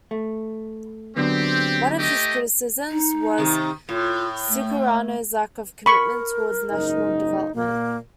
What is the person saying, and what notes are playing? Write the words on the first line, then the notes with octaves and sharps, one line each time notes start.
One of his criticisms was Sukarno's lack of commitment towards national development.
A3
D3 F#3 B3 C4 G4
A3 G4 D#5
D#4
C3 D#3
A2 F4
A3
A#4 B5 C#6
F#1 G#2 D#4
A#2 A#3